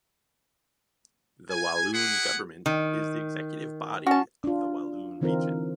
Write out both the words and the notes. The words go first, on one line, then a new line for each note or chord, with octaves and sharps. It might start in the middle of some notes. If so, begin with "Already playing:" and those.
The Walloon Government is the executive body of the Walloon Region.
G#5
E4 G#4 F#5
D#3
C#4 F#4 A5
D4 F4
D3 E3 C4 D#4 F4 A#4